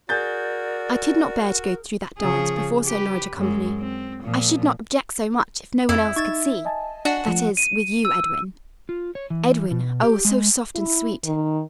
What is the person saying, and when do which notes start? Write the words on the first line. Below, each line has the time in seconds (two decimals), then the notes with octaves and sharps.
"I could not bear to go through that dance before so large a company. I should not object so much if no one else could see--that is, with you--Edwin." "Edwin!" Oh! so soft and sweet!
0.09 F#4 G#4 A#4 D5 G6 A6
2.19 C#3 F3 G#4
2.86 G4 B4
3.36 F#2 G#3
3.79 C4
4.23 A#2 F3
5.89 F2 E4
6.16 D#4 C#6 G#6 A6
6.65 D#5 G#5 A5
7.05 D4 F#4 D5
7.27 F3 A3
7.57 D#7
8.05 E6
8.89 F4
9.15 C#5
9.30 E3
9.71 B2
10.03 G4
10.25 G#3
10.75 E4
11.25 D#3